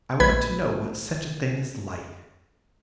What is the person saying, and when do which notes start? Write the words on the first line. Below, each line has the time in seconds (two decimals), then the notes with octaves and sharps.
I want to know what such a thing is like.'
0.20 A#1 B4 B5 G#6